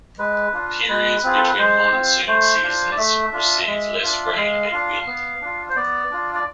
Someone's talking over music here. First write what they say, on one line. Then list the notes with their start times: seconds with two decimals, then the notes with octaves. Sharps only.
Periods between monsoon seasons receive less rain and wind.
0.18 G#3 B4
0.53 D4 F4
0.88 G#3 B4
1.23 C4 F4 G#4
1.37 A4
1.47 B4
1.58 G#3 C5
1.92 C4 F4
2.27 A3 C5
2.62 D4 F4
2.91 D5
2.97 A3 E5
3.32 D4 F4
3.67 G#3
4.02 D4 F4
4.27 E5
4.36 G#3 F5
4.72 D4 F4
5.07 B3
5.41 D4 F4
5.69 C5
5.76 B3 D5
6.11 D4 F4
6.34 D5